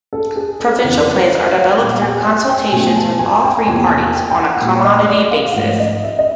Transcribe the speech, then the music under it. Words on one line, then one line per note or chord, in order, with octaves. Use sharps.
Provincial plans are developed through consultations with all three parties on a commodity basis.
A4
G#4
A4
F2 C#3 E3
A#4
B4
C5
F5
F#5
A#2 G3 B3 G5
G#5
G#5
G5
B2 F#3 A3 G#5
A5
G#5
G5
E2 C3 F3 A#3 G#5
A5
G#5
G5
G5
F#5
F#5
A#2 G3 A#3 G5
D#5
D#5
D5
F5
F#5
G#2 F3 A3 F5
D#5
E5
D#5